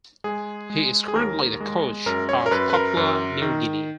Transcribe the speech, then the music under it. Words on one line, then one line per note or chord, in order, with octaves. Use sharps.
He is currently the coach of Papua New Guinea.
G#3 G#4
G#3
G#4
D#2 A#4
G#3
F#2 A#4
C#5
A#4
F#2 B4
B4
A#4
F#2
D#3